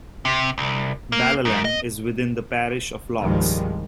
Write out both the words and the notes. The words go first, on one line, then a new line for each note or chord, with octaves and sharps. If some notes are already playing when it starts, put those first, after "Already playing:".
Balallan is within the parish of Lochs.
C3
C2
A#3
F#2
D#5
C2 G2 D#3 F3 G3 G#3